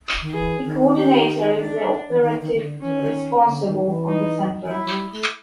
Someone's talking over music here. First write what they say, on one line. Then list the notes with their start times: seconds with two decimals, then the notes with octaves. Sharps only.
The “coordinator” is the operative responsible of the Center.
0.21 D#3
0.33 E3 G#4
0.64 D#3
0.96 G4
1.58 D4
2.09 E3
2.20 D#3
2.41 D#3
2.53 D#3
2.62 D3
2.82 E3 C#4
2.90 D#3
2.99 D3
3.06 D#3
3.45 D3
3.66 D#3
3.86 E3
4.08 D#4
4.65 F3
4.71 F#3 E4
4.85 F#3
4.91 G3
5.12 A3